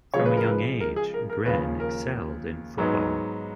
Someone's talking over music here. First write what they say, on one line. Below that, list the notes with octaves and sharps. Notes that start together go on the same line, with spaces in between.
From a young age, Gren excelled in football.
C#3 F3 G#3 C#5
B4
A#4
B4
A#4
G#4
A#4
A#4
D#2 C#3 F3 B4
A#4
G#2 F#3 B3 D#4